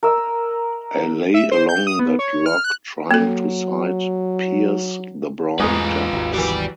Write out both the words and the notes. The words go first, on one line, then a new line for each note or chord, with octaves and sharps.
I lay along that log trying to sight-pierce the brown depths.
A#4 E6
E5
C5
G6
D#6
B3
C#5
F6
F#6
F#3 A#3 A4
A1 E2 G#2 G#3 F4 B4 D#6
G#1 D#2
E3 F#3 G4 D5